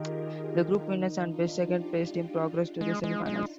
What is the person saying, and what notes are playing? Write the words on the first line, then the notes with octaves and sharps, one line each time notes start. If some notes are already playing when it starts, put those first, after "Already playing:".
The group winners and best second place team progressed to the semi-finals.
Already playing: D#3 F4 G4 G#4 A#4
D#4 G4
D#4
D#4
D4 F4
F3 D#4 G4
G3
G#3 D#4 G4
G3
G#3 D4 F4
G#3
G#3 D#4
G#3